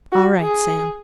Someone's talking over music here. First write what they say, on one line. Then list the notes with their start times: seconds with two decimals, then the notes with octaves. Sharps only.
"All right, Sam."
0.12 F#4
0.40 G#4